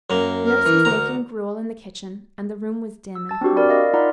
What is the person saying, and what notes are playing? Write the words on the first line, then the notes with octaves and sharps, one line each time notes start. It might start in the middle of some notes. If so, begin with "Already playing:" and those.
Nurse was making gruel in the kitchen, and the room was dim and quiet.
F#2 A#3
A#4
E3
D2 A#5
E6
A5 A6
C4 D4 F#4 G4
A#4 D5 B5
A#4 D#5 F5
D#4 F4 D5 F#5 A#5 B5